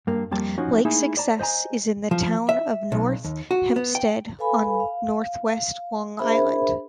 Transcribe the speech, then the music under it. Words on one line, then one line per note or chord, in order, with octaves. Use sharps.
Lake Success is in the Town of North Hempstead on northwest Long Island.
G2 A#3
F2 G3 A#3 A5
F3 C#4 D#4 F#4
A3 A#3 D#4 E4 G#4 E5
D5 A5 A#5
C5 D#5 G#5 A#5
F3
E5
B1
D#2
F#4
B3
G5
A4 B4 F5 G#5 B5
F5
D4 G#4 A#4 C5 E5 B5